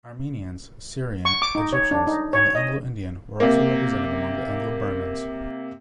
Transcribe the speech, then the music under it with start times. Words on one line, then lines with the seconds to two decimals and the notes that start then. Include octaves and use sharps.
Armenians, Syrian, Egyptians and the Anglo-Indian were also represented among Anglo-Burmans.
1.25 C#6
1.42 D6
1.55 D#4
1.73 C#5
1.91 D4
2.07 D#4
2.33 C#5
2.55 D#5
3.40 C3 A#3